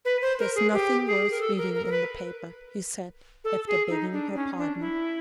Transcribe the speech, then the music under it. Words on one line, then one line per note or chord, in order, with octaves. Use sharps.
"There is nothing worth reading in the paper," he said, after begging her pardon.
B4
C5
A#4
G#4
G4
G#4
A#4
A4
A#4
A#4
A#4
B4
A4
G#4
D#4
D4
C#4
D4
E4